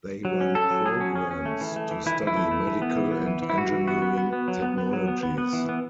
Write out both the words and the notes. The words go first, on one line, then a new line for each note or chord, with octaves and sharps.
They run programmes to study medical and engineering technologies.
F#3
C#4
C#4 A4
F#3
F#3 G#4
C#4
C#4
C#4
A3
E3
A3
E3
E3 E4
E3
E4
A3
A3
E3
B3
E3
B3
E3
E3
E4
E3 F#4
E3
B3 F#4
B3
B3
B3
F#3
B3
B3
F#3
B3
B3
B3
E3
B3